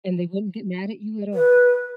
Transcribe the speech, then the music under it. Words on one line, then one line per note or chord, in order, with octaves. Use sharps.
And they wouldn't get mad at you at all.
B4